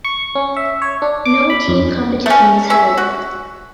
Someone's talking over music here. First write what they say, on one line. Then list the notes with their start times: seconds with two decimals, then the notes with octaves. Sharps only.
No team competition was held.
0.05 C#6
0.35 C#4
0.57 E5
0.82 C#5
1.02 D4
1.25 D6
1.50 B5
1.68 F2
2.26 A3 C#4
2.70 C#4 E5
2.98 F#4